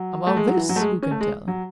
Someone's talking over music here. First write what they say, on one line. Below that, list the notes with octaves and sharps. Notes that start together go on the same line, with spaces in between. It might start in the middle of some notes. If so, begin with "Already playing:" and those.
About this who can tell?
Already playing: F#3
A3
G#3
F#3
E3
F#3
A3
G#3
C#4
A3
G#3
F#3